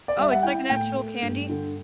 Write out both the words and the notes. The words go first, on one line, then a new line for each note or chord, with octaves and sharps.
Oh, it's like an actual candy?
D5
G3 E5
F#5
E4 G5
A2 G5
A3
G2
D3